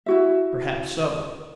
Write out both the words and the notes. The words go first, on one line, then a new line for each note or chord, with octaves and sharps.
Perhaps so.
E4 F#4 E5